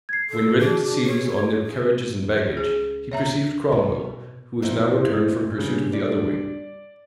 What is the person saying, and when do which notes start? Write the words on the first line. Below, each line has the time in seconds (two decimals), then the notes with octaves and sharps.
When ready to seize on their carriages and baggage, he perceived Cromwell, who was now returned from pursuit of the other wing.
0.09 G#6 C7
0.30 A4
0.59 D4 F#4 G#4
1.06 C#5
1.65 G#4
2.38 C#2 C#5
2.57 G#4
3.12 C#5 E5 A#5
3.72 B2 B4
4.62 F2 A#2 E3 F3
5.58 G2 C#3
5.93 D5